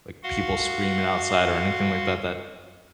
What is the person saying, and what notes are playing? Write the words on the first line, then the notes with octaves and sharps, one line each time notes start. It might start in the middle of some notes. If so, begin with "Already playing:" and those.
like, people screaming outside or anything like that that
F#4 F5 F#5 C6